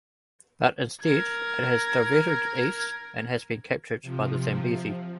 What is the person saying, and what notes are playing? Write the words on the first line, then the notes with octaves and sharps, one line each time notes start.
But instead it has diverted east and has been captured by the Zambezi.
A#4 G#6
C3 F3